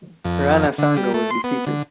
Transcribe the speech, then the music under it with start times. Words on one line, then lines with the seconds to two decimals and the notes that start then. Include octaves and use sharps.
Rana Sanga was defeated.
0.25 F2
0.78 D3
0.97 G3
1.14 A3
1.31 C6
1.44 B3
1.67 D3